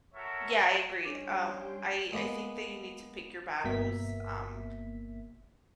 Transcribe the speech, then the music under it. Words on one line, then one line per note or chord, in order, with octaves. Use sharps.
Yeah, I agree, um, I I think that you need to pick your battles, um,
F#4 A4 A#4 C#5 E5
G3 C#4 D4 G5 C6
G#3 A#3 B3
G1 B2 A#3 E5 B6